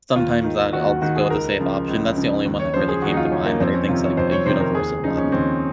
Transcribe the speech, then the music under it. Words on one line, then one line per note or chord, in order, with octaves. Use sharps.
Sometimes I'd I'll just go with the safe option, that's the only one that really came to mind that I think is like a universal one.
D#2 F4
D#3
D#2 F#4
F#4
D#3 F#4
G#4
C#2 A#4
C#3 F3
C#2
C#3 F3
D#2
C#5
C#3 F3 C5
G#4
D#2 F#4
D#4
F4
C#3 F3 C#4
A#3
F2 C4
C#4
C3 D#3 F4
C#5
F2 C5
C#5
C3 D#3 C5
A#4
D#2 G#4
C#3 F3 D#4
C#4
D#2 C4